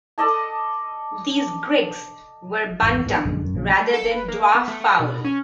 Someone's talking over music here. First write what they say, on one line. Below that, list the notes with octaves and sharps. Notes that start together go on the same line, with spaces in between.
These Grigs were bantam rather than dwarf fowl.
A4 D5 D#5 A5
G#1 E2
G#1 A2 G#3 B3
A#1 F#2 D3 G#3
E1 F#2
A#1 C#3
A3
A4
B4
A#3
B3
A3
A3
B2
C#4